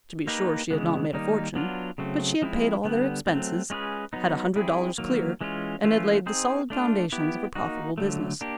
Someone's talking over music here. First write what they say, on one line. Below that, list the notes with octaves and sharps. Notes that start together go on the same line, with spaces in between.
To be sure, she had not made a fortune; but she had paid all their expenses, had a hundred dollars clear, and had laid the solid foundations of a profitable business.
A#3 D#4 G4 B4
C#3 E3 G#3 B3
D#3 G3 A#3 D#4
F#3 B3 D4 F4
C#3 F#3 A3 C4
F3 G#3 C4 E4
D3 G3 B3
F#3 A3 C4
G#3 C#4 F4 G#4 B4
F#3 B3 D#4
G3 C4 E4 G#4
D#3 F#3 A#3
E3 G#3 C#4 F4
E3 A3 C#4 F4
C4 D#4 G#4 C5
A3 D4 F4
B3 E4 G4
A#3 D#4 F#4
D3 F#3 A3
A#3 D4 G4